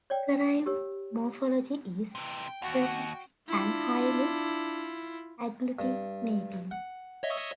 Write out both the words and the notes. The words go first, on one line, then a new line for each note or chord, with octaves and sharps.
Karaim morphology is suffixing and highly agglutinating.
C#5 D5 G5
G4 A#4 C#5
C3 E3 G5
D#2 F#4 F#5
D4 E4 F4
G2
F#5
C#5 D#5 E5